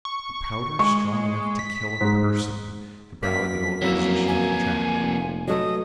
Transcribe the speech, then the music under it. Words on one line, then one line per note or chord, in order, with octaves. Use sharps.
"A powder strong enough to kill a person?" The brow of the old physician contracted.
C#6
G#3 C#6
B6
G#2 G#3
F#2 A#3 B6
F2 F#3 A#3 E4 E5
G#5
F1
F#3 A3 B3 D#5